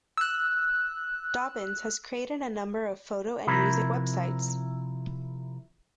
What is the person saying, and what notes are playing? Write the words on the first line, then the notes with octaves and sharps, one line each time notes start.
Dobbins has created a number of photo and music web sites.
E6 F#6
C3 F3 E4 A#4 B5